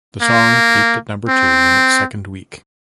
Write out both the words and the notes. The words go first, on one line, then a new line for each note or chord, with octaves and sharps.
The song peaked at number two in its second week.
A#3
C4